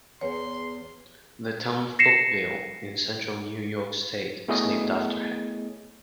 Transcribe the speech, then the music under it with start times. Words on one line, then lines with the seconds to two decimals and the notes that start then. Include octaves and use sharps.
The town of Bouckville, in central New York state, is named after him.
0.21 E2 G#4 C#5 C6
1.99 A#6 C7 C#7 E7
4.48 A3 B3 E4 G#4 C#5 D#5